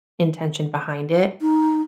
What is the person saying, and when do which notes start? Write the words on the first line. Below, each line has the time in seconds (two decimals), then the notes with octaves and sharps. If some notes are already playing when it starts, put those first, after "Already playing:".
intention behind it,
1.41 D#4